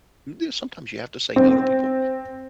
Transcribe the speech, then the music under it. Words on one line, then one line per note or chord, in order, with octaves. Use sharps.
and do sometimes you have to say no to people
C4